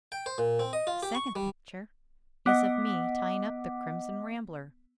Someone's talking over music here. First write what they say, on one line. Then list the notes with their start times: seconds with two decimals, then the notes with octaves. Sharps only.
The second picture is of me tying up the crimson rambler.
0.12 G5
0.26 C5
0.38 A#2
0.59 C4
0.73 D#5
0.87 F4
1.03 G4
1.15 C#6
1.36 G3
2.46 B3 D#5 F#5 D6 B6